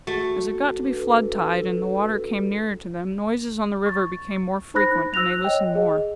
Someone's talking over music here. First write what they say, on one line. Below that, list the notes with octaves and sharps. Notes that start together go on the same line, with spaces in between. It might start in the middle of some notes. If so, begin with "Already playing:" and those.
As it got to be flood-tide, and the water came nearer to them, noises on the river became more frequent, and they listened more.
A3 F#4
D4 A4 B4
C#6 A6
D#4 C5 B5 F#6 A#6
E6 F#6 A#6 F7
C#5 D#5 G5
G#4 D#5